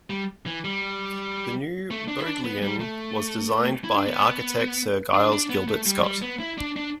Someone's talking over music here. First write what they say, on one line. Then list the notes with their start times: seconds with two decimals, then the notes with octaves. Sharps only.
The New Bodleian was designed by architect Sir Giles Gilbert Scott.
0.10 G3
0.46 E3
0.64 G3
1.91 A3
2.08 D4
2.20 E4
2.27 D4
2.44 B3
2.62 G3
2.80 A3
3.84 E4
3.95 D4
4.06 B3
5.14 D4
5.32 D4
5.50 B3
5.68 A3
5.86 G3
6.03 G3
6.22 B3
6.39 E4
6.58 D4
6.76 D4